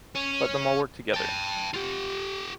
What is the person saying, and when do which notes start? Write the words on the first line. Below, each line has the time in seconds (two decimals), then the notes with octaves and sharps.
Let them all work together.
0.15 C#4
1.14 G5 A5
1.74 F4 G4